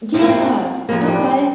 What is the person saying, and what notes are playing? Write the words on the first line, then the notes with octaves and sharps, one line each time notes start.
Yeah, okay,
F2 C3 F3 C4
A#3
C4
F2 C3 F3 A#3
G3